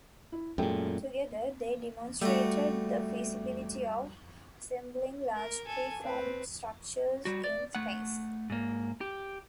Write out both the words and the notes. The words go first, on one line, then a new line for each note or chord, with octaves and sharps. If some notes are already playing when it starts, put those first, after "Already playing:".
Together, they demonstrated the feasibility of assembling large pre-formed structures in space.
E4
F#2 A#2 G#3 A3 G5
G3 A3 F#4
A#4
A4 G#5
C4 B4
G3 F#4
D5
A3 F#5
G#2 A#3
G4